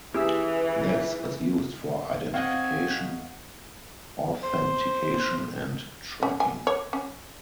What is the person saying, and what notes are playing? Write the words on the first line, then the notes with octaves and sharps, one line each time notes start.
This is used for identification, authentication and tracking.
E3 A#3 C#4 E4 G4 G#4 E5 E6
C4 D#5 F5 F#5 G#5 C#6
C5
C#4
G#5
C#5
C#4